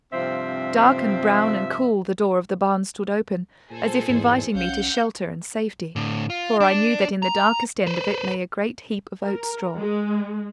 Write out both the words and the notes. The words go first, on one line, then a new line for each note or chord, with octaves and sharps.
Dark and brown and cool the door of the barn stood open, as if inviting me to shelter and safety; for I knew that in the darkest end of it lay a great heap of oat-straw.
G2 C3 F3 C4 E5
A#2 G#4 A4 C5
E2 G#2
B1 C#4 F5 F#5 G6
A2 D3
F4
D4
A#5
B4 C5
A#4
G#3